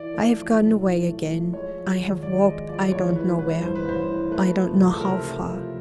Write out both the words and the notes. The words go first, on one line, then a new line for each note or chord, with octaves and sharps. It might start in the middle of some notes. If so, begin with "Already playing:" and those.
I have gone away again--I have walked, I don't know where, I don't know how far.
Already playing: E3 D5
A3
F3
B1
A2
A3
F3
G#3 C#5
F3
G#1
G#2 D5
G#3 D#5
F3 D5
A1 C#5
E3 B4
A1 B4
G2 C5
B4
A1 C5
E3
A3 B4
F3
C#2
A4
C3 A#4
A3
F3